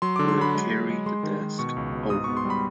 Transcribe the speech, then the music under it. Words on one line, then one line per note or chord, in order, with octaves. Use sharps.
We'll carry the desk over.
F#3 C6
D3 D6
C6
F#3 B5
G#3
G#3
G#3
G#3 C6
D#3
D#3
B2 C#6
C#2
B2
G#2 D#6
B3 C#6
C6
G3
B5